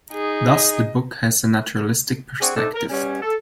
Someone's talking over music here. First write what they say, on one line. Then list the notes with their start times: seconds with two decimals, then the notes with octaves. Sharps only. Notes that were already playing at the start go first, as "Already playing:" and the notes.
Thus, the book has a naturalistic perspective.
0.13 D#4 G#4
0.48 D#5
2.41 C4 D4 F#4 G#4
2.56 A3 C4 D4 D#4 A4
2.74 A#4
2.90 B2 G3 C#4
3.22 A4